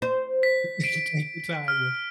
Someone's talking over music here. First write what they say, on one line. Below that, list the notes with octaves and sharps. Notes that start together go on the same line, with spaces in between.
T take your time with
C5
B6
D7
F6